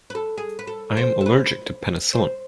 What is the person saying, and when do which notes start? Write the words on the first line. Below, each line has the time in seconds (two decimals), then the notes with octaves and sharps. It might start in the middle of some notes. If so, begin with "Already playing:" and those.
I am allergic to penicillin.
0.10 B4
0.15 A4
0.38 G#4
0.59 B4
0.67 A4
0.97 C5
1.21 A4
1.26 B4
2.13 C5